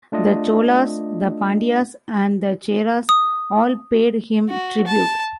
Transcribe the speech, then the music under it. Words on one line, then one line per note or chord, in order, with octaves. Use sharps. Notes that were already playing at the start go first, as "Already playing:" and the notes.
The Cholas, the Pandyas and the Cheras all paid him tribute.
A3 D4 F4 D#5
D#6
F#4
A5